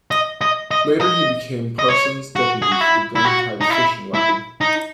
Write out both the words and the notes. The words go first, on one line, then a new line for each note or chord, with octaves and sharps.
Later he became Parsons' deputy for the gun-type fission weapon.
D#5
D#5
D#5
D#5
D#5
C#5
F#4
G#4
F#4
E4
E4
F#4
D#4
E4
E4
D#4